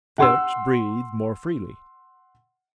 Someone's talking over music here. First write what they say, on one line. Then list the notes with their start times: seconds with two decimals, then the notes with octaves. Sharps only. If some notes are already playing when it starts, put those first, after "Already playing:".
Fix breathed more freely.
0.18 F#5 C6 E6